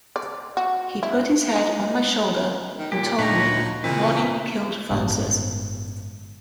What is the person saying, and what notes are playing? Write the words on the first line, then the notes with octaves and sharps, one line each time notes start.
He put his head on my shoulder and told me Ronnie killed Frances.
D5
F#4
E4
D#4
D#3
A#2 G4
D2 A#2 D#4 B4 C#5 A#5
A#2 C#3 E3 C4 B4
G1 A2 G#3 B3